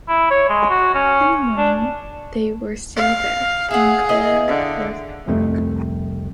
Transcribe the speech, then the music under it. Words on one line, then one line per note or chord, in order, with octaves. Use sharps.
In the morning they were still there, and Clara was at work.
E4
C#5
G#3
F#4
C#4
D4
F5
G#4 E5 F#5
E4 D#5 F5
D3
C2 F2 C3 A3